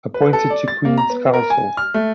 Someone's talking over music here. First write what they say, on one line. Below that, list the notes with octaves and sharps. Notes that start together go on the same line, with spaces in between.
Appointed to Queen's Council.
B4
A4
D5
A6
A#3
A#5
B3
A#4
G#5
F6
A3